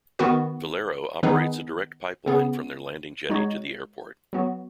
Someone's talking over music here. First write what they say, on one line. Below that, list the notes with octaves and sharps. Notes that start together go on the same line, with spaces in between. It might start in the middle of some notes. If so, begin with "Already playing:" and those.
"Valero" operates a direct pipeline from their landing-jetty to the airport.
D#3 B3 F#4 B4
D#3 B3 D#4 G#4 B4
C#3 B3 G#4
G#3 D#4 F#4 C#5
F#3 B3 F#4